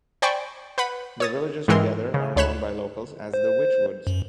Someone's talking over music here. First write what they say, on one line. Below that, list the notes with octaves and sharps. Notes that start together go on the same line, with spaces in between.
The villages together are known by locals as "The Wychwoods".
C5 D5 G5 G#5 B5 C#6
B4 F#5 B5
C#5 D#6 A6
G#2 E3 G#3 C4 A#4 C6
C#3
D2 C#5 B5 F#6 E7
C5
F#2